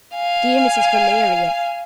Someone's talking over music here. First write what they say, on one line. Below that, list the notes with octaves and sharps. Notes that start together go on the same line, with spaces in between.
Dear Mrs. Valeria!
F5 G#5